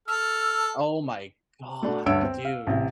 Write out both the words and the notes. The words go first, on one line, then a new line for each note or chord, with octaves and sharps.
oh, my god, dude.
A4 E6 F6
A3 D4 F#4
D2 G2 C#5 F#5 E6 D7
C4
F5
A1 C3